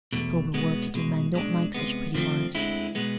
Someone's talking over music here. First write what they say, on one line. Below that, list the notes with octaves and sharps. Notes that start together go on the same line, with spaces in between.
Sober well-to-do men don't like such pretty wives.
E2 B2 A3
B2 G#3 B3
C2 B2 G#3
B2 G#3 D4
C3 G#3 B3
D2 C3 F3 A3 C4
D2 D3 G#3 C4 E4
B2 G#3 B3